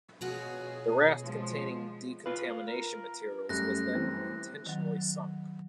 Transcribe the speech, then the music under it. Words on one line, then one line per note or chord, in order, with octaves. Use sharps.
The raft containing decontamination materials was then intentionally sunk.
B2 F4 F#4 G#4 C#5
F3 G#3
F4 B4 F5
A#4
F#2 G3 A3 F#6 A#6
E3 C4
D#3 F#3